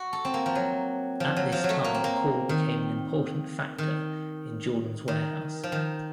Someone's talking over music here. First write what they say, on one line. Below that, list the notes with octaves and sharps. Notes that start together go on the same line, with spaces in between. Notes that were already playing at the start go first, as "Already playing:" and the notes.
At this time Paul became an important factor in Jordan’s warehouse.
Already playing: F#4
A4
C4
A#3
F3
F#3
F3
F#3
F3
F#3
A3
A#3
C4
A#3
D#3
D#3
D#3
F3
D#3